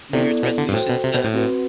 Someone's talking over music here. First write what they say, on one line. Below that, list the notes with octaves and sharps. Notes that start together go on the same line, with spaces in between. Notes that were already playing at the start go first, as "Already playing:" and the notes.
New Year's resolutions to
C3 B3 E4 A4 D5
B2
D3
G2
A2 F#4 A4 C5 G5
B2
C3
B2
A2
C4 F#4 B4